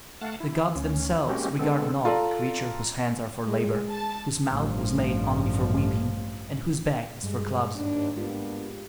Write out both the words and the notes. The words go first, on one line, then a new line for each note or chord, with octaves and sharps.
The gods themselves regard not a creature whose hands are for labor, whose mouth was made only for weeping, and whose back is for clubs.
A3 F5 F#5 A5
E4
D2 C#4
G#3 A#3 C4 C#4 F#4 G4
D3 G#3 B3 C4 A4
F4 A4 D5 A#5
G#3
A5
A1 G2 F3
G2 G3 G#3
D#2 G#2 D4
G#3 A#3 B3 D4 F4 G4